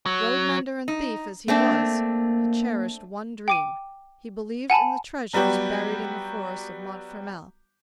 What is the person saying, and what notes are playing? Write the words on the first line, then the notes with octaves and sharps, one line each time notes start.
Road-mender and thief as he was, he cherished one dream; he believed in the treasures buried in the forest of Montfermeil.
F#3
D#4
A3 A#3 C4 D4
G5 D6 D#7
F#5 G#5 A5 B5
F#3 G3 B3 F#4 G4